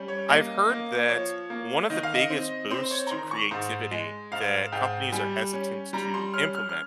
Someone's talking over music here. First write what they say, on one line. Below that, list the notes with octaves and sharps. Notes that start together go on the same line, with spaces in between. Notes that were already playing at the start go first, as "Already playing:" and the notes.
I've heard that one of the biggest boosts to creativity that companies are hesitant to implement
Already playing: G3 C#4
C#5
A#3 D#5
A#3
F3 C#5
A#3
D#3 D#5
F5
D#5
C4
C4 C5
C#5
A#5
D#3 C6
C#6
G#2 C6
G#3
G#2 F5
G#2 G5
G3 G#5
C#4
G3 A#5
C6
C#4 F6
F6
F6